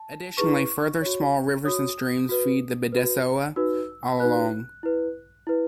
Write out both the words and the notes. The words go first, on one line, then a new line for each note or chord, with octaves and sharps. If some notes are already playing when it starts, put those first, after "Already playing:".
Additionally, further small rivers and streams feed the Bidasoa all along.
Already playing: A5
E4 G#4 B4 C#6
F#4 C#5
F#4 C#5 D#6
F#4 B4
F#4 B4
D#4 F#4 B4 E6
D#4 F#4 B4 F#6
E4 B4
E4 B4